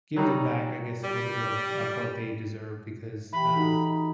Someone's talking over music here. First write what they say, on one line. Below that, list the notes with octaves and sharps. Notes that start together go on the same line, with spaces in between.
give them back, I guess, a little bit of of what they deserve because, um,
F#3 G3 D#4
G3
E3 G4 G5 B5
D#4 F#4 A4 F#5